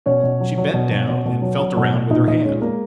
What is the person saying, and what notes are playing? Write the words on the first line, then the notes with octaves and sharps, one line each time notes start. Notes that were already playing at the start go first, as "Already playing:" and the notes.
She bent down and felt around with her hand.
B2 C#4 C#5
B2
F#3
F#3
B2
B2
B2
B2
F#3
F#3
B2
B2
A#2 D#4 D#5
A#2 D#4 D#5
G#3 C#4 C#5
G#3 A#3 A#4